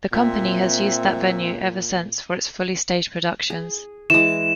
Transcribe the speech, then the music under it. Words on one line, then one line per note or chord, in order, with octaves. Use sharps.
The company has used that venue ever since for its fully staged productions.
A#2 C4 E5
G#4
E3 G#3 E7